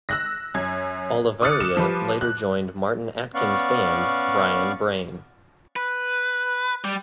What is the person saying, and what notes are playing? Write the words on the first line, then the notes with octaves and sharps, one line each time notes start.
Olavarria later joined Martin Atkins' band Brian Brain.
E6 F#6 A#6
F#2 G#6
D6 D#6 F6 F#6 A6 C#7
E7
F3 G3 B4
F#6
B3 C#4 D5 F5 C#6 F#6
B4
G3